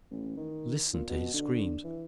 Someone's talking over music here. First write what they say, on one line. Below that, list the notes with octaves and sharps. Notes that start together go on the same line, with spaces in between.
Listen to his screams!
A1
D#3
A#2
B2
D3
E3